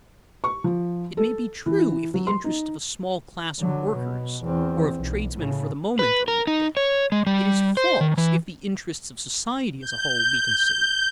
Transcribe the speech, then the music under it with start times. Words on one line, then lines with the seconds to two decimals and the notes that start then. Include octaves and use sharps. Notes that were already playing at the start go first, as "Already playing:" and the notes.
It may be true, if the interests of a small class of workers or of tradesmen for the moment are looked at; it is false, if the interests of society as a whole be considered.
0.44 C#6
0.64 F3
1.17 A4
1.66 E3
2.14 F#3
2.27 C6
2.44 D#4
3.60 D3 F#3
3.94 B2
4.43 E2 C4
4.97 B1
5.37 A2 C#3
5.99 B4
6.28 A#4
6.47 D#4
6.77 C#5
7.12 G#3
7.27 G3
7.77 C5
8.01 D#3
8.18 E3
9.80 G6